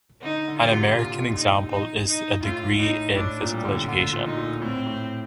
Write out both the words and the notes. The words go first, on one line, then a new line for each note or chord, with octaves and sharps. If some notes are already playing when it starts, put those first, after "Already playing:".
An American example is a degree in physical education.
D3 D#4
D3
F4
C3
A#2 F4
D#4
D#4
D#4
A2 F4
A2 D#4
A2 D4
A#2
G3
D3
D3 F4
A#2
D#4
A#2
A2 C4
A2